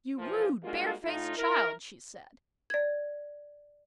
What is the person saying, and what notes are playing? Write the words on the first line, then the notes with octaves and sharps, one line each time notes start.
'You rude, barefaced child!' she said.
A#2 E3 F3
G3 G#3 A#3 D4 F4 F#4
A2 D#4 F4
E4 A#4
D5 G#6